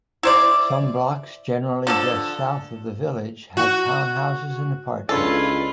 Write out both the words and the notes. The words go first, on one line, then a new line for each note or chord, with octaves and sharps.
Some blocks, generally just south of the Village, have townhouses and apartments.
E4 C5 D5
D3 F3 A4
F#4
C#2 D4 E4 F4 A4 B4 C#5